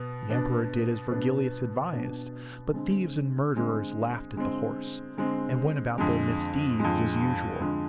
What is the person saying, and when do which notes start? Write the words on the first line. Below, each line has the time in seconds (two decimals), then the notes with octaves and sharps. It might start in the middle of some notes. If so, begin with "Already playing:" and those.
The emperor did as Virgilius advised, but thieves and murderers laughed at the horse, and went about their misdeeds as usual.
Already playing: B2 B3
0.30 B2 B3 D4
1.11 B2 B3 D4
1.93 B2 B3 D4
2.74 D3 G#3 C4
3.55 D3 G#3 C4
4.36 D3 G#3 C4
5.17 D3 G#3 C4
5.98 F2 D3 G#3
6.80 F2 D3 G#3
7.60 F2 D3 G#3